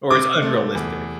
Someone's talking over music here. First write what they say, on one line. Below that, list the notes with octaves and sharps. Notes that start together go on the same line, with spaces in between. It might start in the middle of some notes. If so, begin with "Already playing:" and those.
Or, it's unrealistic.
C3 D6
A3
E2